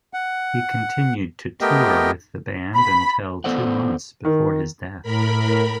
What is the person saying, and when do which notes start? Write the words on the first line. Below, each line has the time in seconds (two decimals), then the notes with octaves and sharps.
He continued to tour with the band until two months before his death.
0.14 F#5
1.61 A3 B3 G4 A#4 D#5 G5
2.75 B5
3.44 B3 A4 C5 D5 F#5
4.25 D#3
5.03 A2 A#4 B5